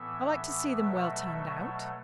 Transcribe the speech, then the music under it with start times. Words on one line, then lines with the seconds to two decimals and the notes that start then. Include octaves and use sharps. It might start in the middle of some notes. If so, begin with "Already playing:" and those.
"I like to see them well turned out."
Already playing: A2 E3 B3 E5
0.77 B2 F#3 A3